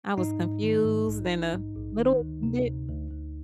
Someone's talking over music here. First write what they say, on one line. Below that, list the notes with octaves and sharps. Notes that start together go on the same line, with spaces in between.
I was confused and a little bit
G#2 D#4
G#2
D#3
G#2
A#1
A#1
G#2
A#1
D#3
D2
C3
D2
D2
D2